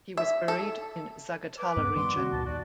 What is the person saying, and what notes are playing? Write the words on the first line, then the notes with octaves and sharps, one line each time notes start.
He was buried in Zagatala region.
E5
A4
B4 D6
G2 B3
D#3 G3 B3 C6
F#4
C#2 A#2 A5
D#2 F#4 D5